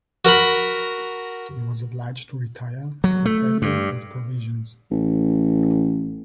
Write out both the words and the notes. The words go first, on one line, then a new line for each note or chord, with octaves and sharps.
He was obliged to retire through failure of provisions.
F#4 A#4 A#5 B5
F#3
A3
G2
A1